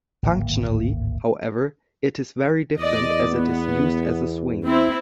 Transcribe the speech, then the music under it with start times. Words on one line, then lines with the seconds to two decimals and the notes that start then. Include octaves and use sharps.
Functionally, however, it is very different as it is used as a swing.
0.23 D1 G#1 A#3
2.78 E2 D5 D#5
3.27 B3
4.64 C4 E4